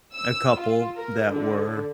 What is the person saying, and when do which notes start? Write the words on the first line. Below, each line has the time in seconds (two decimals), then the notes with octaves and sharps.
a couple that were
0.15 E6
0.58 F4
0.96 A#4
1.32 D3